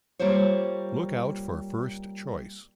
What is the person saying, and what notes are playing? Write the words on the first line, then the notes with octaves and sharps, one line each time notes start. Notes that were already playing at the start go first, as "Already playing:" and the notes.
Look Out for First Choice!
G3 A#3 F4 C5 C#5